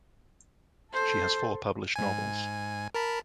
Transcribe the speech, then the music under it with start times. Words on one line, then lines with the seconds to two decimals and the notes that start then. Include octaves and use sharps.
She has four published novels.
0.93 A4 C5
1.96 G#2 G#5
2.95 A#4 A5 B5